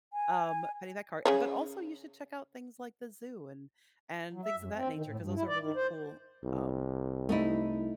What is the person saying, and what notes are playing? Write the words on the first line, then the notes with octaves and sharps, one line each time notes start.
um, Pennypack car but also you should check out things like the zoo and and things of that nature 'cause those are really cool, um,
G#5
C#3 G#4 C#5
F#3
E5
F#2
C4
D#3
A2
G2
E4
D5
D#3
C5
C2
A3 D#4 E4